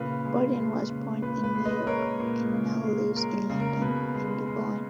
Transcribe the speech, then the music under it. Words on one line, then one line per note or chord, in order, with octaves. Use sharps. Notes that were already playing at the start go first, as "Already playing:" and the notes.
Borden was born in New York and now lives in London and Devon.
Already playing: A#2 C#3 B4
G#3
G#3
C#3
A#2 B4
B4
G#3
B4 D#5
G#3 A#4 C#5
A#2
C#3
G#3
G#3 A#4
C#3
A#4
B2 B4
G#3
G#3